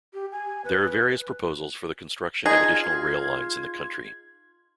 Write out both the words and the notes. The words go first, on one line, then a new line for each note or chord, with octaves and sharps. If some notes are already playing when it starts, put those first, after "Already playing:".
There are various proposals for the construction of additional rail lines in the country.
G4
G#5
B4
D#4 F4 G#4 G#6